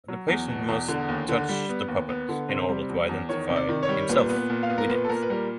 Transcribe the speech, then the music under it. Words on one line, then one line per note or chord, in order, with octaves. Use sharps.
The patient must touch the puppet in order to identify himself with it.
F#3
E2
B2
E2
D3
D#2
D3
G3
B3
D#2
B3
D3
C3 C5
G3
E2
E2
D#3 C#5
C3
D5
D#3
C#5
G3
A#2 B4
B3
B4
A#2
F5
B3
A#4
A#2 B4
A4
A#2 A#4
B4
G3 A#4